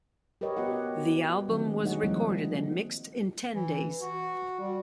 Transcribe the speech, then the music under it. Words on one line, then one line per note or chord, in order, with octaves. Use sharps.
The album was recorded and mixed in ten days.
G4 A#4 B4 C#5 D#5
B3 F#4 G4 F#5
D3 D#3 F#3 A3 C4
G#3 D#4 G#4 C#5 D#5 F#5
F3 G3 A#3 C4 E4
E3
F#4
G3